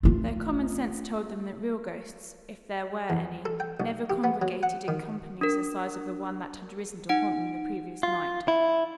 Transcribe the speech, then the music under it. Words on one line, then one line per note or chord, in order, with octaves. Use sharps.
Their common sense told them that real ghosts, if there were any, never congregated in companies the size of the one that had risen to haunt them the previous night.
A3 F4
E2
A4
G5
B1
G4
B3
F#3
F#5
D#3
D4 A#4
D#4 F#5 D7
F4
E4